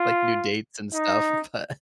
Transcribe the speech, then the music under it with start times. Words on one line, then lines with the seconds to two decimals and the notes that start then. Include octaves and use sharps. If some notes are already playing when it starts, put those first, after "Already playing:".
like, new dates and stuff, but
Already playing: F4
0.93 D#4